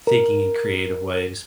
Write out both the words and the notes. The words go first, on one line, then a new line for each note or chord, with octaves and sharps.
thinking in creative ways.
A#4